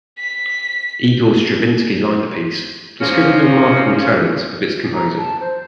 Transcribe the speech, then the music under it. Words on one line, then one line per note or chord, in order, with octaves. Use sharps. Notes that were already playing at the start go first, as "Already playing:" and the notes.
Igor Stravinsky liked the piece, discovering the "remarkable talent" of its composer.
B6
G#2 F3 A#3 C#4
A#5
A5
C5